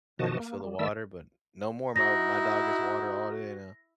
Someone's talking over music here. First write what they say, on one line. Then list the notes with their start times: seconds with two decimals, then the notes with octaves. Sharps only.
I go fill the water, but no more. My my dog gets water all day now.
0.19 B2 D#3 F3 F#4 D#5 A5
0.40 A#3
0.64 G3
0.79 D#3 A3 D5 E5 E6
1.96 D#4 E4 F#4 A#6